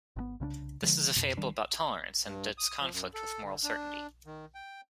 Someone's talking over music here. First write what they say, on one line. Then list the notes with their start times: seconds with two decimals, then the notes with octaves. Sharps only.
This is a fable about tolerance, and its conflict with moral certainty.
0.16 G#1 B2 B3
0.40 C2 C#3 C#4 D4
0.82 D3 D#3 F3 G#3
1.16 F2 B2
1.37 D#3 G3 D4
2.24 G2
2.58 D#6
2.80 F3
2.92 F#2
3.14 A4
3.43 D3
3.64 D4
4.26 D#3
4.55 G5